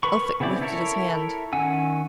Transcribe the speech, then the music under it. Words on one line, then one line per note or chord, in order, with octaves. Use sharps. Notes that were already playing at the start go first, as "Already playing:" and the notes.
Elphick lifted his hand.
A#4 B4 B5 C#6
C#3 B3 C4 E4 D5
E4 A4 A#4 C#5 E5
D#3 C#4 F#5 G#5 E6